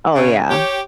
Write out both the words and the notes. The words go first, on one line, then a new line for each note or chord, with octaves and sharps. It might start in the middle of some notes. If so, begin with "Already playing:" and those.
Oh, yeah.
C#3
G4 C#5